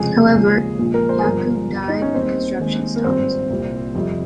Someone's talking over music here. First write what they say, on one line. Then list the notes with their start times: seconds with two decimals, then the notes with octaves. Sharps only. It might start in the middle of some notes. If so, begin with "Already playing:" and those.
However, Yaqub died and construction stopped.
Already playing: F1 F2 C#3 G#3 G#4
0.34 D#2 C#3 F3 G#3
0.79 A#1 A#2 F3 G#3
0.94 A#4
1.09 C5
1.19 G#4
1.23 G1 G2 F3 A#4
1.69 G1 G2 G3
1.88 D#4
2.02 C#4
2.15 D#2 D#3 G3 C4
2.59 D#2 D#3 G#3
2.96 A#3
3.04 G#1 G2 F3 C4
3.50 C2 A#2 G3
3.95 F2 C3 G3